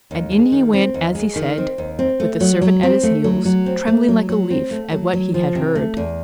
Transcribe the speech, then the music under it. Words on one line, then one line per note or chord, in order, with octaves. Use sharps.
And in he went, as he said, with the servant at his heels trembling like a leaf at what he had heard.
D#2
G#3
D#3
C4
D#2
G#3
D#3
C4
D#2
C4
A3
F#3
F#3
C4
A3
F#3
F#3
C4
A3
F#3
F#3
C4
A3
F#3
F#3
F3
C3
A3
E2